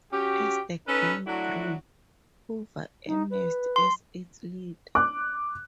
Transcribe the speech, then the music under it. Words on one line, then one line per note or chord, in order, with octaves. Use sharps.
As the gang grew, Hoover emerged as its leader.
C#4 F#4 G4
C#4 D#4 A4 B4
F#3 A3 D4 E4 F#4
D#4
B4
C6
D6 F#6